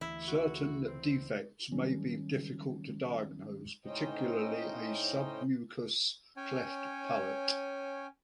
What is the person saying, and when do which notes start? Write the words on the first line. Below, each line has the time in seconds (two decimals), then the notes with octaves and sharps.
Certain defects may be difficult to diagnose, particularly a submucous cleft palate.
0.01 D2 E3 E4
0.28 F#4
0.87 C4
1.72 D#3 F#3 G3 C#4
3.86 A2 C#4 D#4 C5 D#5 G5
6.37 C#4 C#5 G5 G#5